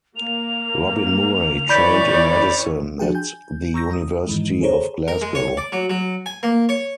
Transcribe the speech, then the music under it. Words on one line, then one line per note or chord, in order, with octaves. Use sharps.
Robin Murray trained in medicine at the University of Glasgow.
A#3 F7
E3 C#5 D5 B5 G6 B6
F3 D4 F#4 G#4 G5
G#5 G6
A#5 C#6 E6 G6 A#6
D#6
G#2 D#3 E3 G#3
G#4 A4 C5 C#5 A#5
A#4
G#3
C#5
D5
F#3
F#3
G#5
A#3
C#5